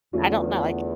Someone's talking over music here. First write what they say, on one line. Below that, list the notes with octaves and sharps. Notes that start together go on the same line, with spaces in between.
I don't know, like,
E2 D3 A3 C#4 F4